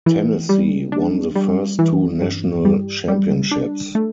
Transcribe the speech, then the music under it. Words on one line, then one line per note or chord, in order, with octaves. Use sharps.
Tennessee won the first two national championships.
E3
G3
D4
G3
E3
G2
G3
G3
D4
A3